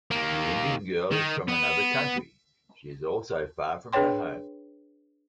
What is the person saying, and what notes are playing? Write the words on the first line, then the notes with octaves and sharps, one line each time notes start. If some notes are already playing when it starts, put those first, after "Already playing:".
The Indian girl is from another country. She is also far from her home.
D#2 A#3
D#3
B3
D4 G#4 B4 C#5 G5 C6